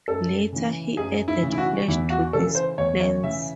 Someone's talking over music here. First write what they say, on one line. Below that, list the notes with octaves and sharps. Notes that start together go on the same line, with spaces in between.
Later, he added flesh to these plans.
F#2 A4
C#3 E3
F#2 G#4
E4
C#3 E3
E4
F#4
E2 E4
F#4
C#3 E3 A4
C5
E2 C#5
C#5
C#3 E3 E5